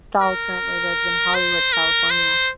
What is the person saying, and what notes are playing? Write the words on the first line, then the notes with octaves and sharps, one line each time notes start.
Stahl currently lives in Hollywood, California.
A#4
C5
A#4
C5